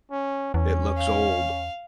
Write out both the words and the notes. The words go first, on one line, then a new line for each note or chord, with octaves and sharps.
It looks old.
C#4
E2 C#4
F5